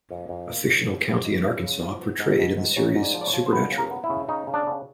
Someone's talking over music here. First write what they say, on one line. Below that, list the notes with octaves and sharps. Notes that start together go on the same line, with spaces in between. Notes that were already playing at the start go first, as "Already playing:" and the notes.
A fictional county in Arkansas portrayed in the series "Supernatural".
F2
F2
A#3
C#3
F3
C#3
F3 D#5
C#3
C#3
F3
B3
G#2
G#2
G#2
G#2 C#5
G#2
D5
F3
D5
C#5
F3
C5
B3 B4
C#3
A#4
B3
E4
C#3
C#3 D#4
C#3
D4
C#3